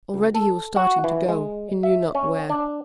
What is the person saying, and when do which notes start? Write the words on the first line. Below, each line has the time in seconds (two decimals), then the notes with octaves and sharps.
Already he was starting to go, he knew not where.
0.14 C#2
0.34 A4
0.76 F#4
1.04 E3
1.28 G#3
1.83 E5
2.15 C#4
2.50 D4